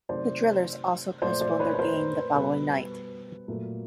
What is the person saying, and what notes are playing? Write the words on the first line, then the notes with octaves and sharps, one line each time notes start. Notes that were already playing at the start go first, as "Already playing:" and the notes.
The Drillers also postponed their game the following night.
C3 D#3 F#3 A3 C5 D5
A#2 F3 A3 C5 D5
C5 D5
B4 C#5
B4
A#4 C5
B2 G3 A4 B4
A#2 F#3 A3